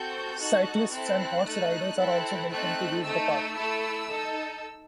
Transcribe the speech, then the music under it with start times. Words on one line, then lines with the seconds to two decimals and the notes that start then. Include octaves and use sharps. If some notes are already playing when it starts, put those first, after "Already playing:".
Cyclists and horse riders are also welcome to use the park.
Already playing: C4 F#4 A4 G6
0.39 D#4 F#4 A4 F#6
0.92 C4 E4 A4 F#6
1.45 A3 D#4 A4
1.97 C4 E4 A4
2.50 A3 C4 D#4 A4 F#6
3.03 A3 D#4 A4 E6
3.57 A3 E4 A4
4.09 D#4 A4